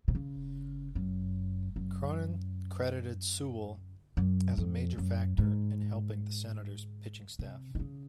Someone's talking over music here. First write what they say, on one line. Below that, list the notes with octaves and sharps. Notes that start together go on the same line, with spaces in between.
Cronin credited Sewell as a major factor in helping the Senators' pitching staff.
C3
C#3
F#2
F#2
F#2
F2
F#2
G#2
C3
D#3
C#3